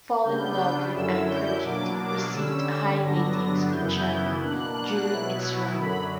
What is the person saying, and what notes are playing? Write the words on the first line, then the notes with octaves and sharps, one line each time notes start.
"Fall in Love with Anchor Beauty" received high ratings in China during its run.
C#3 G3 B3 D4 G6
F#2 D3 F#3 C#4 E4 E6
G6
B2 F#3 A#3 D4 D6
D6
D3 G3 C#4 E6
G2 D3 F#3 B3 D4 A#6
F#2 C#3 E3 B3 E4 G6
B2 A#3 D4 F#6
B2 F#3 B3 E4
F#2 D3 F#3 B5